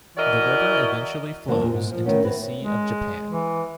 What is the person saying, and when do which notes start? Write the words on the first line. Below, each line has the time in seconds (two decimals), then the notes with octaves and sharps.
The river eventually flows into the Sea of Japan.
0.17 E3 E4 F#4 A#4 D5 D#5
1.48 D3 F3 A#3 C4 D4
1.62 A#2
1.74 G#2
1.92 F3
2.06 D#3 A3 B3 C#4
2.23 C4 B4
2.60 G#3
3.30 E3